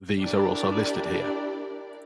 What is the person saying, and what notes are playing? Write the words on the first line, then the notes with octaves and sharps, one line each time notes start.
These are also listed here.
D4 E4 G4 A#4 D5